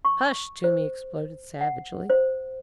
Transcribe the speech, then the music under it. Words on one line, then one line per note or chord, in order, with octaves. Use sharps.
"Hush!" Toomey exploded savagely.
C#6
C5
F#5
C5